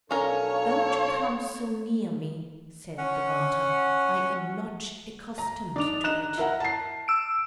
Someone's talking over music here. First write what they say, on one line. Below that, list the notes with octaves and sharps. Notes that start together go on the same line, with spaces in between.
"Don't come so near me," said the garter: "I am not accustomed to it."
B1 C#4 D4 A4 A#4 C#5 F5
C#4 F#5
A#5
D4 D#4 D6 F7
D#5 A#5 F#6 E7
E4 A#4 F#5
A5 C7
E6 D7